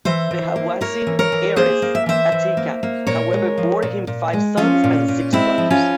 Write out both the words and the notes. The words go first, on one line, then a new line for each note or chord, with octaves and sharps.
The Hawazin heiress Atikah, however, bore him five sons and six daughters.
E3 C5 E5
E3
A#3
A#3 A#4 C#5
E3
A#4 C#5
E3
A#3 G#4 C5
A#3
E5
E3 C5 E5
E3
A#3
A#3
A#2 A#4 C#5
G#3
F3
A#2
A#2
G#3
F3 C#4 F4
A#2
A#2
G#3 C4 E4
F3
C#4 F4